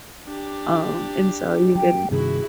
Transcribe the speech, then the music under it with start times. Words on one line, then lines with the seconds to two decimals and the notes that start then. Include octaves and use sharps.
Um, and, so, even
0.27 D4 G4
1.75 F#3 G5
2.11 G2 C3 D#3 E4 F#4 G#4